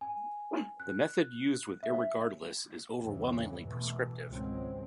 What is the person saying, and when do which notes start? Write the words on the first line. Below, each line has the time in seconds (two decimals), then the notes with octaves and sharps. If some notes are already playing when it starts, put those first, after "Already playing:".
The method used with "irregardless" is overwhelmingly prescriptive.
0.01 G#5
0.80 F#6
1.83 E5
2.97 E2 G2 C#3 E3
3.67 B2 E3 A3
4.27 G#1 C#2 F#3 G#3 C4